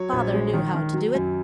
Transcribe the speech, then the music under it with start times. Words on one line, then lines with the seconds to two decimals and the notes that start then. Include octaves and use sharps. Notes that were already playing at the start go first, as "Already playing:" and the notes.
"Father knew how to do it."
Already playing: F#3 C#5
0.12 A#1
0.33 G#3
0.53 D#3
0.74 D#3
0.93 F#3
1.15 F#2